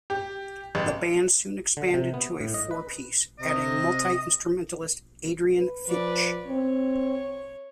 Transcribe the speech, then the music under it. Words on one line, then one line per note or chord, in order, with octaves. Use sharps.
The band soon expanded to a four-piece, adding multi-instrumentalist Adrian Finch.
G4
A1
D3
C3
B3
A2
D#5
B4
C3 D#5
B4
F3 B4 D5
C4 C#5